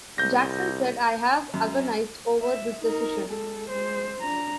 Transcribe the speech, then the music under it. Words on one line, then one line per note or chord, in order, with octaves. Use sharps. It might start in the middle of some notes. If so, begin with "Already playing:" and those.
Jackson said, I have agonized over this decision.
C2 G6 A#6
F#2
E5
D#4 A#4
G#3 A4
G#3 C5
D4 A#5